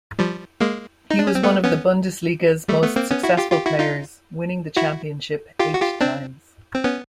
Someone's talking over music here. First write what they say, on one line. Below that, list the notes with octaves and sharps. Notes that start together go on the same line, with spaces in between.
He was one of the Bundesliga's most successful players, winning the championship eight times.
F3 G3
G#3 A#3
D#4
D4
C#4
C4
A3 B3
B3 C#4
G3 A3
A3 B3
A#3 C4
B3 C#4
E4 F#4
F4 G4
F4 G4
E4 F#4
D#4 F4
E4 F#4
F4 G4
F#4
F4 G4
C4 D4
C4
B3 C#4